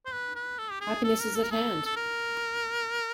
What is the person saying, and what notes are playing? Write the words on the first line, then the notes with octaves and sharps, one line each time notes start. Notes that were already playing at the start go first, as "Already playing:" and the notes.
Happiness is at hand!
C5
B4
B4
A4
G4
G#4
A4
A#4
A4
A#4
A4
A4
A#4